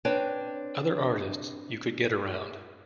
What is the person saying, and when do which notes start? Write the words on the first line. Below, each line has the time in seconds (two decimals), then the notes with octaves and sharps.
Other artists, you could get around.
0.05 C4 D4 B4 C#5 G5